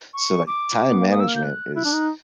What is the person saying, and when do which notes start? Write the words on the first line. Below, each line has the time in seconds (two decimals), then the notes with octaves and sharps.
So, like, time management is
0.14 C#6
0.47 D6
0.89 B3
1.00 A#3
1.11 D#6
1.20 E6
1.28 F6
1.35 G6
1.44 F#6
1.76 E4 F#6
1.85 D4
1.93 D#4